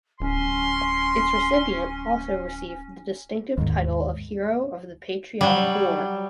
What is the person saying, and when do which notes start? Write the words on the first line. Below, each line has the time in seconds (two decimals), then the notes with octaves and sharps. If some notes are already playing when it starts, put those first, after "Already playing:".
Its recipient also received the distinctive title of Hero of the Patriotic War.
0.20 D1 C#4 C6
3.58 D#2 G#2
5.41 F#3 G3